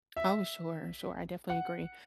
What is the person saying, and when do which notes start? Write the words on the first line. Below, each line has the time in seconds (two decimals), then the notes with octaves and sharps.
Oh, sure, sure, I definitely agree,
0.16 E5
1.50 F#5